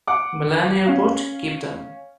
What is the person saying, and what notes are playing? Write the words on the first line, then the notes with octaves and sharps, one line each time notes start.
Malan Airport, Cape Town.
F#5 D6
C#4 F5